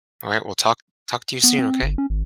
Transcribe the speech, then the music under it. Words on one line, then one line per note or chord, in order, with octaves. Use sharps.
Alright, well talk talk to you soon, okay?
B3
C4
G1
C#4
G#1